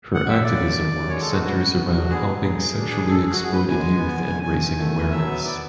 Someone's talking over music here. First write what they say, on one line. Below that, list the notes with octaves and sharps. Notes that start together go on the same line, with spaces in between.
Her activism work centres around helping sexually exploited youth and raising awareness.
F#5
E5
C#3 D5
F#2
F#2
F#2
G#3 C#5
A4
G#2
F#4
B3 F#4
B3
D3
D3
B3 G#4
F#3
F#2
F#2
D4
F#2
F#2 A4
G#4
F#2
F#4
F#2 G#4
B4
F#2
G#5
G#3
B3
E2
E2
E2 G#5
E2
A3
E3
F#3 E5
B3
B3 D5